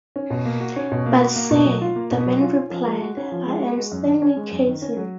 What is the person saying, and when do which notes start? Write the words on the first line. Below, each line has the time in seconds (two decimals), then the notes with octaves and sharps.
"But, sir," the man replied, "I "am" Stanley Casson".
0.16 C#4
0.30 B2
0.45 A#3
0.60 F#4
0.76 C#4
0.92 B2
1.06 A#3
1.21 F#4
1.36 A#3
1.51 B2
1.66 F#3
1.81 F4
1.96 A#3
2.11 B2
2.26 F#3
2.41 F4
2.56 C#4
2.71 F3
2.86 G#3
3.02 F#4
3.17 C#4
3.32 F3
3.47 G#3
3.61 F#4
3.77 G#3
3.92 F#2
4.07 D#3
4.22 C#4
4.37 G#3
4.51 F#2
4.67 D#3
4.82 C#4
4.97 F#3